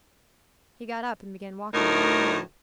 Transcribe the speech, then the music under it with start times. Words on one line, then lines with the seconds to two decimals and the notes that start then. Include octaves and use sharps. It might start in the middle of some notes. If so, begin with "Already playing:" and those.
He got up and began walking about the room.
1.73 D2 A2 D#4 A#4